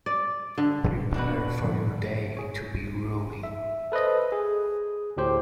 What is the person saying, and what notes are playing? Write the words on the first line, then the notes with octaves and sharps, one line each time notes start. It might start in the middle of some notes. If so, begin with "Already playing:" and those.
Prepare for your day to be ruined.
D5
D3
D4 F#4 B4
G1 F2
G#4 C#5
E5
A4 B4 C5 D#5
G#4
D2 A2 G4 C5